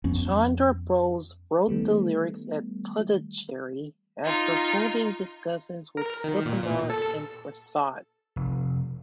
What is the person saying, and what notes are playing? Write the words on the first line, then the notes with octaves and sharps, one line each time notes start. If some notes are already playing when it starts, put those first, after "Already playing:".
Chandrabose wrote the lyrics at Puducherry after holding discussions with Sukumar and Prasad.
F2 F3 B3 C#4
D#3 G3 A3 B3
D#4 F4
A#4
D#3
A#2
A#2
A4
F1